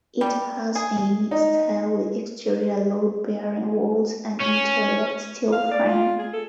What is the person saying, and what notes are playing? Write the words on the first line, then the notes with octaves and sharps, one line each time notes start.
It has a unique style with exterior load-bearing walls and an interior steel frame.
G3
G#4
D#4
C#4
F5
D5
F4
G#4
A4